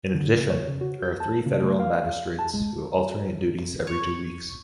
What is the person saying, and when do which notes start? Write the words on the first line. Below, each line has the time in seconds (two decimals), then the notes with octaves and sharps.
In addition, there are three federal magistrates who alternate duties every two weeks.
0.14 D3
0.35 C#3
0.50 C#5
0.68 C#3
0.81 F#4
1.03 G6
1.20 A5
1.46 C#3
1.62 A3
1.80 F5
2.39 A5
2.54 G#3
3.87 C#5